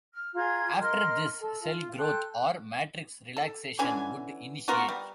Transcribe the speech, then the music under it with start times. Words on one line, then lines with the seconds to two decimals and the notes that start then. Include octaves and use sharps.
After this, cell growth, or matrix relaxation would initiate.
0.13 F6
0.35 F4 G#4 A#5 G#6
0.80 A#4 D#5 C6 F6
1.39 A4
1.63 F4
1.97 A4 G5 C6 F#6
3.37 A4
3.79 D3 E3 C#4 G#5
4.68 B3 F4 F#4 A#4
4.89 G3